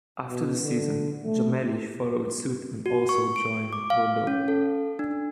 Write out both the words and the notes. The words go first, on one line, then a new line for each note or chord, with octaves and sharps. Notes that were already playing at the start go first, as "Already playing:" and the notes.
After the season, Jammeli followed suit and also joined Bordeaux.
B2
D3
A3
F#4
C#6
D7
D6
F5
C#4
A4
D4